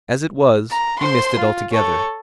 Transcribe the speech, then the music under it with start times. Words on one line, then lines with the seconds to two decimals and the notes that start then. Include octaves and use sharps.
As it was, he missed it altogether.
0.71 A#5
0.99 C5 C6
1.39 F4
1.71 A4 C#5